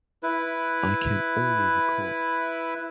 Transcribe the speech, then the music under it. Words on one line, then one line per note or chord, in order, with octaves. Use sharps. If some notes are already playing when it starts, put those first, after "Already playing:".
I can only record.
E4 B4